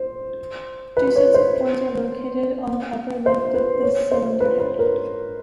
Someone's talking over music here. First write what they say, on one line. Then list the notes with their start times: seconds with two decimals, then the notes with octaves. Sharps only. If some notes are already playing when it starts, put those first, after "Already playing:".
Two sets of points are located on the upper left of the cylinder head.
Already playing: C5
0.97 B4
1.16 C#5
1.34 C5
3.26 C5
3.54 B4
3.83 C#5
4.11 C5
4.40 B4
4.60 B4
4.79 A#4